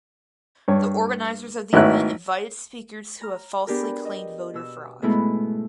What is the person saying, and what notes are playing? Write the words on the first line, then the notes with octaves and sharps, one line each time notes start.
The organizers of the event invited speakers who have falsely claimed voter fraud.
G2 C#5
G#1 A2 B3 E4 C#5 F#6
A#5 F6
B3 D4 G4 G#4 A#4
D#5
B2 E6
G#2 B2 G#3 A3 B3 E4